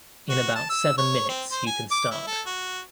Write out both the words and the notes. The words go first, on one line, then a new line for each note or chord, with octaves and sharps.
In about seven minutes you can start.
F#4
A5
E6
C#5
C4
C5
G#5
D6
E4
A4
F#4